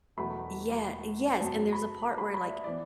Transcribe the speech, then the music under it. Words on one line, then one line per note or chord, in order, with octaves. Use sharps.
Yeah, yes, and there's a part where, like,
E1 E2 B2 F#3 A3 B5
F#1 F#2 F#3 B3 A5
B5
D6
B5
B5
D5
E5
E3 B3 D5